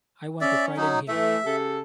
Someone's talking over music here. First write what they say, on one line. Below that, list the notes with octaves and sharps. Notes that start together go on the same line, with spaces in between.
I want to frighten him.
C#4 D5 E5
F#3 D#4
E3 A3 E5
C#3 G4 A4